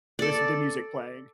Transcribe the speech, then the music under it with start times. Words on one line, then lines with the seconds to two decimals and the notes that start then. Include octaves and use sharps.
this the music playing,
0.19 A4 D5